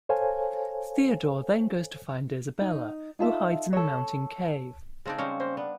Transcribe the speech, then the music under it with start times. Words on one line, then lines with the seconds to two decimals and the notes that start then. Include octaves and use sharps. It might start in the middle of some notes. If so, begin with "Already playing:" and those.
Theodore then goes to find Isabela who hides in a mountain Cave.
0.09 A4 C5 C#5 F5 G#5 A5
2.61 D#4
3.19 D#4 F4 A4 E5
3.73 A4 C#5
5.05 C#3 G#3 C4 D4 D#4 D5
5.18 G3 G#3 C#4 C5 F5 C#6
5.40 A#3 C5
5.57 B3 D4